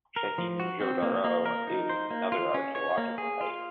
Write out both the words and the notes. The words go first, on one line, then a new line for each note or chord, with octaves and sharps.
Chaheen Jo Daro is another archaeological site.
A#4
F3
F#4
C4
A#3
A#3
A#4
D#4
C5
A#3
F4
C#4
C#5
A#3
G#4
F4